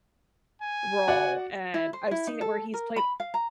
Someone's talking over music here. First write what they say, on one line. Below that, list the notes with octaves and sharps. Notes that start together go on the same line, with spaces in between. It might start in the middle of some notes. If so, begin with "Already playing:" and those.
role, and I've seen it where he's played
G#5
F#4 D5 F#5
E4
C5
E4
D#4
A4
A#4
B5
F5
A#5